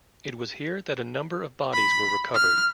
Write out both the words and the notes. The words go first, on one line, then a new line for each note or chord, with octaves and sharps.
It was here that a number of bodies were recovered.
B5
F6